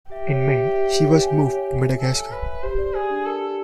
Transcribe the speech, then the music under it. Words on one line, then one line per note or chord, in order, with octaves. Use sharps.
In May she was moved to Madagascar.
G4 E5
C#5
E5
E5
E5
E5
C#5
G#5
G#5
C#5
C#5
E5
A4 G#5
G#5
B4 C#5
E5
G4 C5
D5
G4 G#4
D4
A4 A#4
G4